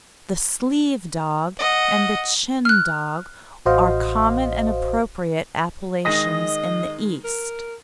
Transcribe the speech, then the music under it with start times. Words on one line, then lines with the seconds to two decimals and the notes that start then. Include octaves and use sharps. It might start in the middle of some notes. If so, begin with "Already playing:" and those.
The "sleeve dog" and the "chin dog" are common and appropriate appellations in the East.
1.59 D#5 F#5
2.65 F6 F#6
3.66 A1 F#4 C5 D#5 F5
6.05 D#3 G#3 D#5 D#6 A#6 D#7
7.25 A#4